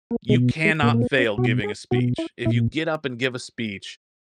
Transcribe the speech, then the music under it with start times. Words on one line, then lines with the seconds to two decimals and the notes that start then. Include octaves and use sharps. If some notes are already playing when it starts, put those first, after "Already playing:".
"You cannot fail giving a speech. If you get up and give a speech,
0.11 A#3
0.29 B2 G#3
0.65 G#3
0.83 A#2 A#3
0.94 A#3
1.02 B3
1.19 C#4
1.38 B2 F#4
1.64 G#4
1.91 B2 F#4
2.18 E4
2.45 A#2 E4